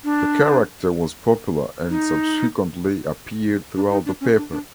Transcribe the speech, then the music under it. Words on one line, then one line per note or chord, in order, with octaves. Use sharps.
The character was popular, and subsequently appeared throughout the paper.
D4
D#4
D4
D#4
D4
C#4
D4
D4